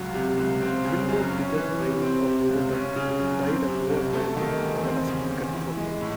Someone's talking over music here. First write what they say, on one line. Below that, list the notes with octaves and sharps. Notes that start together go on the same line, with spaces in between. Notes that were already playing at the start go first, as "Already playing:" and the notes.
Gilmore began mining for gold and died a poor man in Nevada City, California.
Already playing: C#2 F#3
C3
C#2
C4
C#3
F#2
C#4
E3
C3
C4
C3
C#2
C#4
C#3
F#2
C4
C3
C2
A3
D#3
E2
C4
C#3
E2
E4
G#3
A2